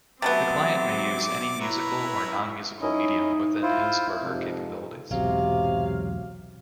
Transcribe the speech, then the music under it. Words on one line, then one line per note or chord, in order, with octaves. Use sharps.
The client may use any musical or nonmusical medium within his or her capabilities.
C3 F#3 A3 B3 C4 E5 D6 A6
E4 B4 C#5 A#5
C#4 D#4 E4 D#5
E4 F4 C5
F2 G#2 C3
B1 E2 G#2 C3 F#3 F5